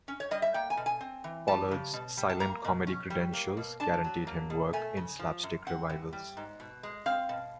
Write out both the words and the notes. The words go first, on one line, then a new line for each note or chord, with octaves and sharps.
Pollard's silent-comedy credentials guaranteed him work in slapstick revivals.
C#4
C#5
G3 D#5
E5
A#3 G5
G#5
B2
G#5
C4
E3
G3 A5
C#3
B2
G3
A5
A#3 A#5
B2
C#4
G3
A#3
B2
D4 A5
F#3
A#3
B2
A3 G#5
C#3
F3
F#2
C4 F#5
E3
G3
G#2
B2
G#3
C4 F5
B2